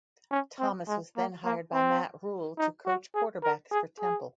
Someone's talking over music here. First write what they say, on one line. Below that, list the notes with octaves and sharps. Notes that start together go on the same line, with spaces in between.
Thomas was then hired by Matt Rhule to coach quarterbacks for Temple.
C#4
C4
G#3
A#3
A#3
C4
D#4
F#4
G#4
A#4
G#4
G#4